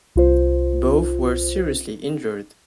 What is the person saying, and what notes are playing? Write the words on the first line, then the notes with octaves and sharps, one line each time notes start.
Both were seriously injured.
C2 F4 C5